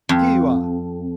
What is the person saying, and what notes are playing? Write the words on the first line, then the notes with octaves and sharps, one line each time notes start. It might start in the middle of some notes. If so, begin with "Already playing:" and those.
'Here you are!
F2